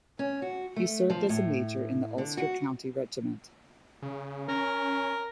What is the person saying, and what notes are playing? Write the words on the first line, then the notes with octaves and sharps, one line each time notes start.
He served as a Major in the Ulster County Regiment.
C#4
F#4
A3
F3
A2
D3
F#4
C#3
C#4 A#4